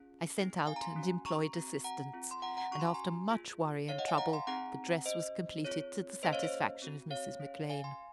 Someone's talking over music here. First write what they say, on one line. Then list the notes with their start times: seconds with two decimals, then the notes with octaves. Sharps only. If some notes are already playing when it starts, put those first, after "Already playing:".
I sent out and employed assistants, and, after much worry and trouble, the dress was completed to the satisfaction of Mrs. McClean.
Already playing: C#4 F4 G#4
0.38 C4 D#4 G#4
0.67 F5 G#5
0.76 A#5
0.82 G#5 C6
0.96 C#4 F#4
1.26 A#5 C#6
1.55 C4 F#4
1.84 F#5 A#5
2.13 C4 F4 G#4
2.31 C6
2.42 F#5 A#5
2.57 F#5 A#5
2.71 C#4 F#4 C#6
2.80 C6
2.87 A#5
2.94 G#5 C6
3.30 A#3 F4 G#4
3.88 A#3 D#4 G#4 C#5 F5
3.98 D#5 F#5
4.08 F5 G#5
4.18 F#5 A#5
4.33 G#5 C6
4.47 C4 D#4 G#4 F#5 A#5
5.06 C#4 F#4 C5 D#5
5.64 C4 F4 G#4 C#5
6.23 A#3 C#4 G#4 C5 D#5
6.33 C#5 F5
6.43 C5 D#5
6.82 C4 F#4
7.11 C#5 F5
7.40 C#4 G#4
7.70 F5 G#5
7.84 G#5 C6